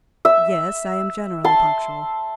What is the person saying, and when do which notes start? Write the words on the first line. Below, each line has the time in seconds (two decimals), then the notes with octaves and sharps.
"Yes, I am generally punctual."
0.25 E5
1.44 A5 C6